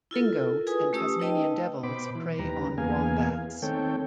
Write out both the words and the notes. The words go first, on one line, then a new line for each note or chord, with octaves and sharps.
Dingos and Tasmanian devils prey on wombats.
E4 F4 A4 A#4
G#4 B4 G#5 D#6
A3 C#4 G4 D#6 E6
D#4 B4 D#5 G5 A5
B2 C5 B5 D6
E3
D#2 G3 B4 A#5
E2 A#3 B3 G#4 F5 G#5
D#3 A3 C4 A4 C#5 G5